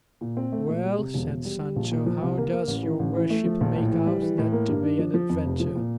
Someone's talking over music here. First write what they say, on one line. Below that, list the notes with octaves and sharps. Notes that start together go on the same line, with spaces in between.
"Well," said Sancho, "how does your worship make out that to be an adventure?"
A#2
C4
A3
A#2
G3
C3
E1
E1
G3
G3
A#1
A#2
F3
C2
A#3
A#3
A1
E3
A1
E3
A3
F3
A#1
A2
E3
G3
E3
A2
A#3
G2
D4
F3
F3
F2
F1
F3
A#2